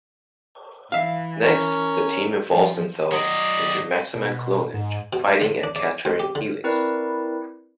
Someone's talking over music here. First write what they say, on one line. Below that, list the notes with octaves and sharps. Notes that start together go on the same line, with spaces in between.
Next, the team involves themselves into "Maximum Clonage", fighting and capturing Helix.
E3 E5 F5
C#4 A#4 C#5
F3
F#3 D5 D#5
B2
G#2
B2
D3
D4
D5
D2
G4
D3
C4 E4 A#4 B4 D5